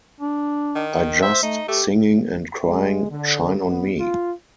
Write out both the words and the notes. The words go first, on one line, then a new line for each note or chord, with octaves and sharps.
I just singing and crying 'Shine on Me'...
D4
D#3
C5 E5
A3 D#4
A3 G4
G#3
D3
B3
F4